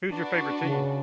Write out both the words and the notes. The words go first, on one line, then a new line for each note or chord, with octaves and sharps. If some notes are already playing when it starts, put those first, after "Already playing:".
Who's your favorite team?
D4 F#4 B4
C#3